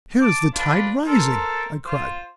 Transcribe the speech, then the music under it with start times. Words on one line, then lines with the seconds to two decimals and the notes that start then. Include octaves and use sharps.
"Here is the tide rising," I cried.
0.22 A5 D6
0.54 D4 F4 B4
1.07 A4 A#4 C5
1.86 F4 C5